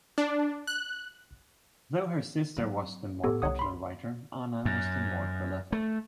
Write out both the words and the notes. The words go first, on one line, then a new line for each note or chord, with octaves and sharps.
Though her sister was the more popular writer, Anna was the more prolific.
D4
F#6
F#3 C4
A2 B3 G4 A4
C2 B3 C#5 F#5 D#6
B5 C6
F#2
A3